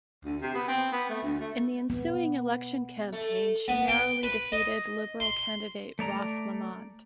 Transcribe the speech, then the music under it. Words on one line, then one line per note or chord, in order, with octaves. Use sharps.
In the ensuing election campaign, she narrowly defeated Liberal candidate Ross Lamont.
D2
C3
B3
C4
B3
A3
D2
A3
B3
A3
B3
G5
B4
D#5
C6
A3 D5 A#5